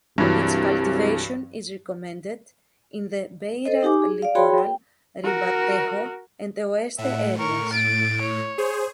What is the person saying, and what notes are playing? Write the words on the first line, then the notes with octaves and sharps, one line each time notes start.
Its cultivation is recommended in the Beira Litoral, Ribatejo and Oeste areas.
C2 G2 E3 F#3
A4 C5 D#5
D#4 G4 G#5 D6
G#4
D5 F5
F#4 G#4 C#5 G5 B5 C6
G5
F#4 A#4
A2 E5 F#5
A#4 C#6
A6 D7
C#5
G#4 C5